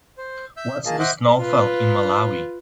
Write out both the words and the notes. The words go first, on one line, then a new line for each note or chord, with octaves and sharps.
What's the snowfall in Malawi?
C5
E5 E6 G6
A#3 F4 G#4 D#5 A5
C5 D#5 E5 F#5 D6
F4 B4